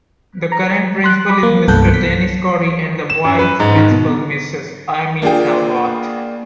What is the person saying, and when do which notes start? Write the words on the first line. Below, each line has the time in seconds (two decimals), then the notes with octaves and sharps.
The current Principal is Mr. Dennis Corry and the Vice-Principal Ms. Amy Talbot.
0.52 A#5
1.04 C6 F#6
1.29 B5 D6
1.43 A#3
1.68 C2 G2 B3 A4 F#6 G6
1.94 B6
3.10 E7
3.25 F#2
3.39 B4
3.60 G#2
3.76 D#3
3.91 B2
5.22 A#3 D4 F4 G#4 G5